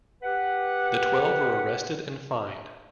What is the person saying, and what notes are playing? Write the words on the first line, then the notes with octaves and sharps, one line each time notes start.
The twelve were arrested and fined.
G4 B4 F#5